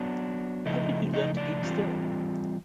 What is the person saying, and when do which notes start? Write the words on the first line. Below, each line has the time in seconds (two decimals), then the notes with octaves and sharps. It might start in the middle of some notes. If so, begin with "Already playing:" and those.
How did you learn to keep still?
Already playing: F#3 B3 D4
0.66 C#3 F3 A3 D#4 E4 D#5
1.14 D#4 D#5
1.37 D4 D5
1.62 E3 G3 C4 F4